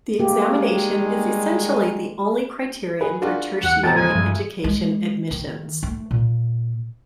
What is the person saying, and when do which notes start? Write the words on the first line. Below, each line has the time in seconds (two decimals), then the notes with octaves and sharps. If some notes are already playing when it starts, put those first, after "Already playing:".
The examination is essentially the only criterion for tertiary education admissions.
0.19 D#3 G3 G#3 A#3 G4
3.01 G#4 B4
3.22 D4 F4 F#4 G#4 A#4 F#5
3.63 E2 F#5
3.83 A1 B2 G5 A5 A#5
3.96 C#3 F3 G#3 C5 G#5
4.15 G2 F3 E5
4.64 G#3
5.31 D#3
5.83 A3
6.11 A#2